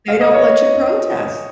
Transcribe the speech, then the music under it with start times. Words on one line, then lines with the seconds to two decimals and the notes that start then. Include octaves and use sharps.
They don't let you protest.
0.08 F5
0.21 D#5
0.34 C#5